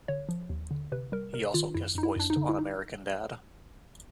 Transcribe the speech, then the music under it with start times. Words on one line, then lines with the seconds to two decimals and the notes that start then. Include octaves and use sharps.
He also guest-voiced on American Dad!
0.08 D3 C#5
0.29 F3
0.49 D#2
0.71 D3
0.92 C3 B4
1.12 G3 A#4
1.33 C3 A#4
1.54 D#3 F4
1.74 F#2 E4
1.95 F#2 D#4
2.03 E4
2.16 F#2 D4
2.30 D#4
2.37 D3
2.49 E4
2.59 D#4